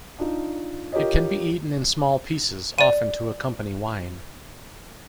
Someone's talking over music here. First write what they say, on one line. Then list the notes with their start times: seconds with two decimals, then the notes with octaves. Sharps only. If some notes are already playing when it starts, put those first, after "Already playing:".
It can be eaten in small pieces, often to accompany wine.
0.19 D4 D#4 F4
0.92 F4 G4 A#4 C#5 D#5
2.78 D5 D#7